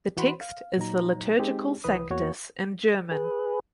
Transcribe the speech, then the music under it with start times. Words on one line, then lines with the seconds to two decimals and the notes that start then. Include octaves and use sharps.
The text is the liturgical Sanctus in German.
0.17 E3 F#4 B5 C6
0.41 F5
0.77 A#2 F#3 D#4 A#5
1.39 G#3 C4 D#4 G4 G#4
1.84 C2 E3 B4 D#6
2.10 E2 A#3 F#4 C#5 C#6
3.11 G#4 B4